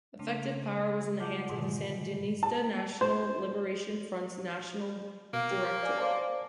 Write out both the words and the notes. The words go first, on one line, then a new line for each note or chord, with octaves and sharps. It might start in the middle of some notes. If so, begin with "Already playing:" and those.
Effective power was in the hands of the Sandinista National Liberation Front's National Directorate.
C#3 G3 A3 C4 D4
G#3 F4 F#5 A5 D6 G6
G#2 B2 D3 D#3 F#3 G#3
A5
C5
B2 A#3
G4
D5 G#5
C5 D5 A5